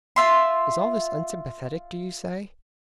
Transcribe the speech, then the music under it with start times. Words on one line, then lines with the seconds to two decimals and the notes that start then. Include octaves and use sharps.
Is all this unsympathetic, do you say?
0.16 F4 E5 C6